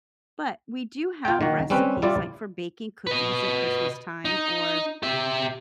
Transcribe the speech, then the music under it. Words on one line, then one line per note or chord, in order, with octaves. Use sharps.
but we do have recipes, like, for baking cookies at Christmas time, or
F4 G5
D#3 A#3 F#4
G3 C4 C#4 B4
G3 E4 F4 D5
B4 D#5
D#4
G4 E5